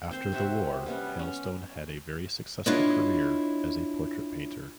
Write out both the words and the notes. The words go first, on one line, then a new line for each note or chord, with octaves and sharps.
After the war Hailstone had a very successful career as a portrait painter.
C4 C5
C3 F#4 G4 E5
G3 B3 C#4
C#4
D4 E4 F4 C#5 D#5